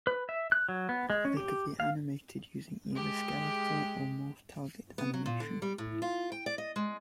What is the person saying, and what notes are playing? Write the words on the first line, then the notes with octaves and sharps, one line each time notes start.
They could be animated using either skeletal or morph target animation.
B4
E5
F#6
F#3
B3
G#3
C#4
G4
F5
G#3 G4
B3
F#3
A#2
D3
G3
A2
F4
G5
D5
D#5
G#3